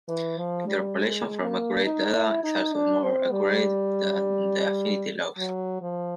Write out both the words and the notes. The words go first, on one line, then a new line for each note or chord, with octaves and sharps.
Interpolation from accurate data is also more accurate than the affinity laws.
E3
F3
G3
G#3
A#3
D#4
E4
D#4
D4
C4
G3
F#3
F3